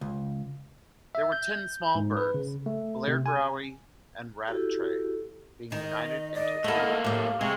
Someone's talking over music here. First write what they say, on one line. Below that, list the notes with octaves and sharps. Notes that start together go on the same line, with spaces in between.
There were ten small burghs: Blairgowrie and Rattray being united into a single burgh.
C#2
E5
G6
G#2
B4
C#3
A3
C3
G#5
E4 F#4 G4 A4
D#3 D#5
D5 D#5
A3 A#3 E4 A4 F#5
A2 G4 D6
F5
C3 G#3 C#6